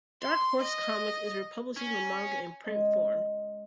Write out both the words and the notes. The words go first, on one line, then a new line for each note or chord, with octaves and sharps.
Dark Horse Comics is republishing the manga in print form.
C6
D#5
C#4
G#3 C#4 D#5